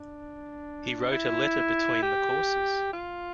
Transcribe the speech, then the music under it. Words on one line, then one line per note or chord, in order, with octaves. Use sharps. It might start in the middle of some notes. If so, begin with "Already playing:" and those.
He wrote a letter between the courses.
Already playing: D4
E4
G4
F4